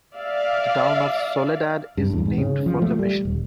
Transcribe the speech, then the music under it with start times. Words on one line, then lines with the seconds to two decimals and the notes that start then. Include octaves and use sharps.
The town of Soledad is named for the mission.
0.15 D5 E5 F5
1.97 G2
2.13 E2
2.25 G#2
2.38 C#3
2.66 F3
2.82 A3
2.99 G3
3.25 D#1